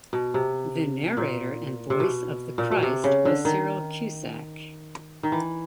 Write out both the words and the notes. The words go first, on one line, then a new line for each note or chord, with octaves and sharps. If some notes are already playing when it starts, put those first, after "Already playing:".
The narrator and Voice of the Christ was Cyril Cusack.
B2
C3
A#2
C3
B2
A#2
B2
C3
C#3
D3
D#3
D#3
E3